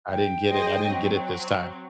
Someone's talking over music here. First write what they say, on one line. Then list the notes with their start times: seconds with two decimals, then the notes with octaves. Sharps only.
I didn't get it I didn't get it this time.
0.11 G5
0.52 G#4 C5 D#5
0.88 F#3 C4